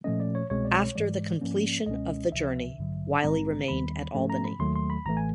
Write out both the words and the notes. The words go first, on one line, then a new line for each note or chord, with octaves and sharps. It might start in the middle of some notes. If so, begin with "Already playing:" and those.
After the completion of the journey, Wylie remained at Albany.
A#2 F3 A3 C#4 D#5
D5
C#5
C2 B2 G#3 C4 C#5
D5
C#5
G#2 E3 G#3 D5
G#2 F3 A#3 C#4
C#2 B2 G#3 C#4 D#5
C#2 C3 F3 E5
A1 G2 D3 F#3
A#1 G#2 D#3 G#3 C4 A#5
D#2 D#3 G3 B3 B5
G#2 F3 A3 C#4
A#5
B5
D#2 D#3 F#3 A3 C6
C6
B5
A1 A2 E3 A3 A#5
G#5